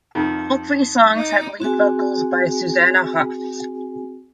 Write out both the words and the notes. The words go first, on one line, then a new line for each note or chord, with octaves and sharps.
All three songs had lead vocals by Susanna Hoffs.
F2 D#3
D#4 D6
C4 F#4 G#4 G#5